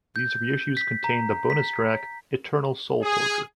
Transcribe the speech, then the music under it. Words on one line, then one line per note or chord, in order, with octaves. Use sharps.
These reissues contains the bonus track "Eternal Soul Torture".
G6
B6
A#5
B6
G#4